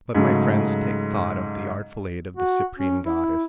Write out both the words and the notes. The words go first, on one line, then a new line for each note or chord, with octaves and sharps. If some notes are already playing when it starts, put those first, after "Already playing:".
But, my friends, take thought of the artful aid of the Cyprian goddess.
G#2 C#3 F#3 A3
F#4
C#4
E4